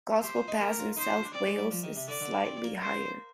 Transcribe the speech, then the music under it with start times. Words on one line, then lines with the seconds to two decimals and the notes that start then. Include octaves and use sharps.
Gospel Pass in south Wales is slightly higher.
0.23 G4 C5
0.36 F4
0.48 D#4
0.60 G4 A#4
0.79 F4
0.96 D#4 C5
1.07 G4
1.16 F4
1.24 D4
1.34 C4 D5
1.46 G#3
1.58 G3
1.71 F3
1.83 D#3
1.96 C3
2.08 D3 D5
2.20 D3
2.33 D3
2.45 C4
2.64 A#3
2.82 C5